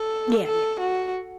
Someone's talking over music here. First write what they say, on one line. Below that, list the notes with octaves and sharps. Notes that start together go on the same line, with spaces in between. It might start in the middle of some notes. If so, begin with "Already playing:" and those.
Yeah. Yeah. Yeah.
Already playing: A4
A4
F#4